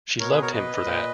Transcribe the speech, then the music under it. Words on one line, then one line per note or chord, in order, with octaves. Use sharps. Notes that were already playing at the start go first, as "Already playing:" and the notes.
She loved him for that.
B2 A#4 C#5
G#4 B4
A#4 C#5
B4 D#5
A#2